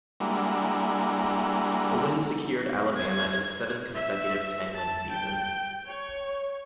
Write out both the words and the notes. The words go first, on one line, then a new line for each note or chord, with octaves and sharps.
The win secured Alabama its seventh consecutive ten-win season.
G3 G#3 A#3 D4 E4 F#4
G#6
E5
A5
G5
C#5